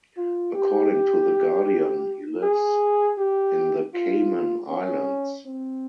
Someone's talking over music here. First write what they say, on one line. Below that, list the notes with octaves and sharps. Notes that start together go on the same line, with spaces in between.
According to The Guardian he lives in the Cayman Islands.
F4
G4
G#4
G4
F4
C#4
C4